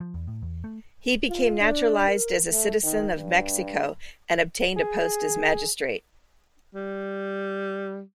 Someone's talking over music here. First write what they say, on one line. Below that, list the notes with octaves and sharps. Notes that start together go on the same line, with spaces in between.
He became naturalized as a citizen of Mexico and obtained a post as magistrate.
F3
E2
A2
E2
A3
F4
D4
A#4
A3
D#3
G2
G#4
G3